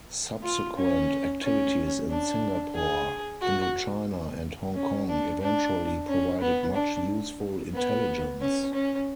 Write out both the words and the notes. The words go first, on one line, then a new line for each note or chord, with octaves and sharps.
Subsequent activities in Singapore, Indo-China and Hong Kong eventually provided much useful intelligence.
F4
C#4
C#4
D4
G#4
F#4
C#4
D4
D4
C#4
B3
D4
B3
C#4
C#4